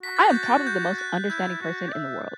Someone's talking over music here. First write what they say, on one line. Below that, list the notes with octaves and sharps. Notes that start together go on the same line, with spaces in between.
I am probably the most understanding person in the world.
F#4 B6
A6
G6
A6
G6
F#6
E4 G6
F#4
D5
E5